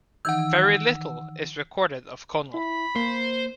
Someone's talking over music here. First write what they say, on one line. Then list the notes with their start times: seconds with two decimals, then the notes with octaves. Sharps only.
Very little is recorded of Conall.
0.25 D#3 E3 D#4 F#5 E6
2.54 E4 B5
2.96 A#3 C5